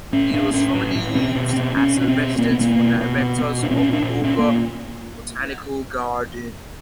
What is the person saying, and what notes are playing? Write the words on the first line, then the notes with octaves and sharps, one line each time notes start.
It was formerly used as a residence for directors of Bogor Botanical Garden.
A2 C#4
A2 D4
A2 C#4
A2
A2
B2 C4
B2
B2
B2 C#4
B2 C#4
C4
B2
B2 A#3
B3
B2 A#3
B2
B2 B3
B2
B2
A#2 D4
C4
A#2 C#4
D4
A#2
A#2 C#4
A#3
A#2